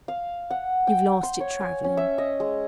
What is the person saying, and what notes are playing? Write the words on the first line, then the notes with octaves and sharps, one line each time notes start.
"You've lost it travelling."
F5
F#5
G5
C6
C#5
G#5
C#4
E5
D#5
G#3